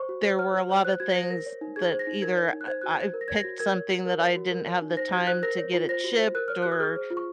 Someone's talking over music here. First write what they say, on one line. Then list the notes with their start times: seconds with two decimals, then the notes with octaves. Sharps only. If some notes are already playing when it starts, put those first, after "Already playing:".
there were a lot of things that either I I picked something that I didn't have the time to get it shipped or
Already playing: C5 C#6
0.09 F#4
0.24 C5
0.39 C#5 F6
0.54 F#4
0.69 C#5
0.85 C5 F#6
1.00 F#4 G#6
1.15 C5 A#6
1.30 A#4 A#6
1.46 C#5
1.61 D#4
1.76 G#4 G#6
1.92 C5
1.99 A#6
2.07 D#4
2.22 A#4 G#6
2.38 C#5
2.53 D#4
2.61 F#6
2.68 C5 G#6
2.82 F#4 F#6
2.91 G#6
2.99 C5
3.14 A#4
3.21 A#6
3.28 C#5 G#6
3.36 A#6
3.44 F#4
3.59 A#4 G#6
3.75 C#5
3.90 F#4
4.06 A#4
4.20 C#5
4.36 F#4
4.51 A#4
4.67 C#5
4.82 D#4
4.97 C5 A#6
5.13 F#4 G#6
5.27 C5 F#6
5.43 A#4 A#6
5.58 C#5
5.74 F4
5.89 C5 A#6
6.04 F#4
6.19 C5
6.35 A#4 F#6
6.48 C#5 F6
6.62 F#6
6.65 F#4
6.72 D#6
6.80 G#4 F6
6.96 C5
7.10 F4
7.17 C#6